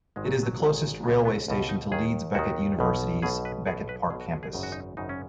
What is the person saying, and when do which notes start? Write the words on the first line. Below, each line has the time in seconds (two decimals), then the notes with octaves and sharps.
It is the closest railway station to Leeds Beckett University's Beckett Park campus.
0.16 G#1 G#2 D#3 G#3
0.26 F#3
0.43 F#3
0.60 G#1 G#2 D#3
1.04 C#2 B2 G#3
1.25 B3
1.48 C#2 B2
1.69 D#4
1.92 D#2 D#3 G#4
2.35 D#2 D#3 F#4
2.79 B1 B2
3.22 B1 B2 G#4
3.45 B4
3.67 B1 B2 G#4
3.89 B4
4.10 B1 B2 G#4
4.21 F#4
4.32 G#4
4.43 G#4
4.53 G#1 F#2 C#3 D#4
4.63 F#4
4.72 D#4
4.97 G#1 F#2 C#3 D#4
5.09 C#4